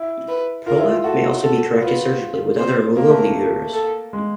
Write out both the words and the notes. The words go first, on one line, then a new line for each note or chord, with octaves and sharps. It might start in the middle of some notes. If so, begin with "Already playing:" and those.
Prolapse may also be corrected surgically without removal of the uterus.
Already playing: E4
B4
F4 A#4
E4
F4
F#4 A4
A4
F4 B4
C4 C5
A#3 A#4
A3
A#3
A4
G#3